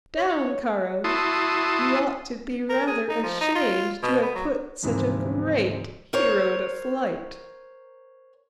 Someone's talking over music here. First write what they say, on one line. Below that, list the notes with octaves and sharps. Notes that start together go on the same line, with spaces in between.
'Down, Caro! you ought to be rather ashamed to have put such a great hero to flight!'
C#5
E4 F#4 A5 C6 D#6
A#4
G#4
D#4
F3
D#4
F4
B2
B3
F#3
G#1 D2 G#2 C3 E3 F3
A#4 C5 C#5